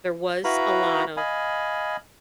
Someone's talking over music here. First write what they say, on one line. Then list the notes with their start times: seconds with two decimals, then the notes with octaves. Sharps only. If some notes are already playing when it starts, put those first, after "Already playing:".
there was a lot of,
0.44 E4 F#4 B4 F5 A#5 B5
1.17 D#5 F5 G#5 B5